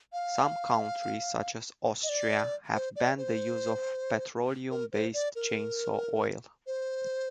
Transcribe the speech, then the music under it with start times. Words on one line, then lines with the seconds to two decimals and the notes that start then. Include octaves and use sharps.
Some countries, such as Austria, have banned the use of petroleum-based chainsaw oil.
0.13 F5
2.03 D#5
2.09 D5
2.74 C5
2.96 D5
3.18 C5
4.70 A#4
4.92 C5
5.13 D5
5.35 A#4
6.67 C5